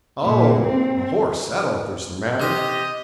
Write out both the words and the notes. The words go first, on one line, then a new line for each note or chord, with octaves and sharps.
'Oh! a horse; that alters the matter.
A#2
C4
C3 G4 C5 D#5